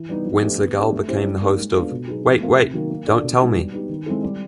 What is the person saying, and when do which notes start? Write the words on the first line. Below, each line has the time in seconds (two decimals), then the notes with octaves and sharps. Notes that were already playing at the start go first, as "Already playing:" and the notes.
When Sagal became the host of Wait Wait.. Don't Tell Me!
Already playing: E3
0.09 G3 B3 D#4
0.25 F3
0.42 A3 D4 G4 B4
0.59 B3
0.75 D4 G4
0.92 A3
1.08 C#4 E4 G4 C5
1.24 G3
1.41 A#3 D#4
1.58 G#3
1.74 B3 D4 F4 A4
1.91 B2
2.08 F#3 B3 D#4 G#4
2.24 F3
2.40 A3 C4 F4 A#4
2.58 C3
2.74 D#3 F#3 A#3 D#4
2.90 A#3
3.07 D4 F4 A4 D5
3.23 B2
3.40 G#3 B3 D#4 F#4
3.57 G3
3.73 B3 D#4 G4
3.89 D#3
4.06 G#3 C4 E4 A4
4.23 G3